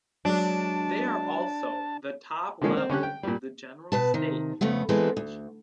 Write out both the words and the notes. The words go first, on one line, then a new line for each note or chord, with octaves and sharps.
They are also the top level of the General State Administration.
F#3 G#3 D4 A5
D3 D#3 F3 G#3 A#3 C#4
C4
D3 C#4 G4 F#6
G5
A#2 G3
B2 B4 A5
C3 D#3
F2 C#3 A3 B3
E3 G#3 A3 B3 C4 A4
D2